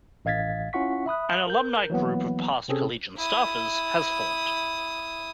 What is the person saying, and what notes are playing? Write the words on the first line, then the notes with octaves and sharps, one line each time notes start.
An alumni group of past Collegian staffers has formed.
A1 D#5 F5 G#6 A6 B6
C#4 E4 F4 F#5 C#6 B6
E5 B5 D#6 F#6
A#4 G6
E3 F#3 A#3 B3
C3 C4 C#4 G#4 A4
E4 D#6